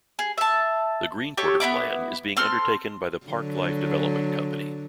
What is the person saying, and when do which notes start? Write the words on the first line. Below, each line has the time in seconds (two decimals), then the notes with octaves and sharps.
The "Green Quarter Plan" is being undertaken by the Parc life development company.
0.19 G#4
0.38 E5 A5
1.37 G4 A4 C#5
1.60 B3 C4 E4 D6
2.37 C4 A4 C6 F6
3.26 D3 F#3